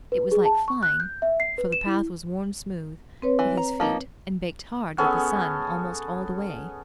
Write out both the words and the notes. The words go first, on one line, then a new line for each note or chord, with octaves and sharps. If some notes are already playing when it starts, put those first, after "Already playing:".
It was like flying, for the path was worn smooth with his feet and baked hard with the sun almost all the way.
B4
G#4
A5
C#6
F#6
G6
E5
C7
B4
E7
E4
C4 B4 C#5
E3
A#5
F3 A#3 D#4
B3 C#4 G#4 A4